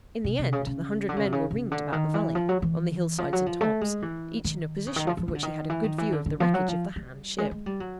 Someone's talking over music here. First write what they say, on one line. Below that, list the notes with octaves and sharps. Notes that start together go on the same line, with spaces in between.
In the end, the hundred men were ringed about the valley, on the hillsides and tops, each in a position from which he had a good view of the wreckage of the Han ship.
C3
C3
C#3
C#3
D3
C#3
C3
C#3
C#3
D3
D#3
E3
F3
F#3
E3
F3
F#3
F3
A3
G#3
E3
D#3
C#3
D#3
F3
F3
D#3
D3
D#3
E3
D#3
E3
D3
D3
F3
F#3
F3
G3
G#3
G#3
G3
F#3